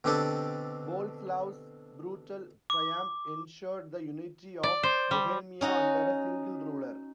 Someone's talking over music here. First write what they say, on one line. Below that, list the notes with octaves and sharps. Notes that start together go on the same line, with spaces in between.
Boleslaus's brutal triumph ensured the unity of Bohemia under a single ruler.
B2 D3 C4 D4 G4 A4
D6
D5
C5
G3
C#4 D#4 F#4